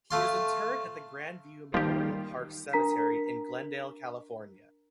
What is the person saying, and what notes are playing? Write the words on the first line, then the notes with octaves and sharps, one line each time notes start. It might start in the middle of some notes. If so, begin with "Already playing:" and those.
He is interred at the Grand View Memorial Park Cemetery in Glendale, California.
A3 F4 C6
D#3 F3 G3 A#3 D#4 F4 G4
D4 A#4 A#5 B6